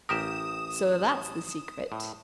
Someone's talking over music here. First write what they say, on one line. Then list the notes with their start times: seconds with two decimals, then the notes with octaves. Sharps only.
So that's the secret.
0.09 A1 G4 A#4 D#6 E7
1.92 A2